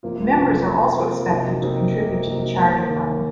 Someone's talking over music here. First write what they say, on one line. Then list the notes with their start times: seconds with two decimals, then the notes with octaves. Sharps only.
Members are also expected to contribute to the Charity Fund.
0.03 C2 C3 F3 A#3 F4
0.34 C2 C3 F3 A#3 F4
0.66 C2 C3 F3 A#3 F4
0.99 C2 C3 F3 A#3 F4
1.30 C2 C3 F#3 A#3 D#4
1.62 C2 C3 F#3 A#3 D#4
1.94 C2 C3 F#3 A#3 D#4
2.26 C2 C3 F#3 A#3 D#4
2.58 D#2 D#3 A#3
2.89 D#2 D#3 A#3